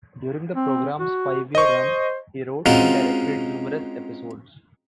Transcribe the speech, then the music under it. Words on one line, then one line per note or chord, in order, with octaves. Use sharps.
During the program's five-year run he wrote and directed numerous episodes.
C4
F#4
C5 D#5 C#6
G#3 C4 C#4 D#4 F4 F#4